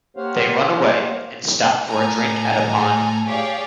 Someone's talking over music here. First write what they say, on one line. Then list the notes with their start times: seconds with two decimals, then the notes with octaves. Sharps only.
They run away and stop for a drink at a pond.
0.17 A#3 G4 C5 C#5 F5 F#5
1.89 A2 A4 G#5 A#5
3.26 G4 G#4 C#5 D5 F5